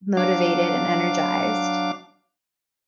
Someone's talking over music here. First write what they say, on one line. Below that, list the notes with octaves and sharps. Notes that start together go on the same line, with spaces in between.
motivated and energized.
F#3 D4 F5 D6